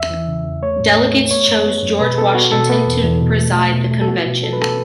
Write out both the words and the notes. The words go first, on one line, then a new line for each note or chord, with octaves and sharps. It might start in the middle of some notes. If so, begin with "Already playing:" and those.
Delegates chose George Washington to preside the Convention.
Already playing: E2 E5
E3
C#3
E2
A3 C#5
A2
A3
A3
B3 C#5
F#2
B3
F#2
B2 B4
B3 A4
B3 F#4
B2 A4
B3
E2
E2
B2
A3
A3
B2
A3
A4
B3 F#4
B2
B2 A4
B4
B3 A4